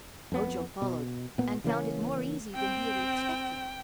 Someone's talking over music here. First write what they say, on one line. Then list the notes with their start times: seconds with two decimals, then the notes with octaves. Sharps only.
Ojo followed and found it more easy than he had expected.
0.32 F2 B3
0.82 B2
1.38 A#2 B3
1.64 C#3 E3 A#3 C#4
2.55 C4 G5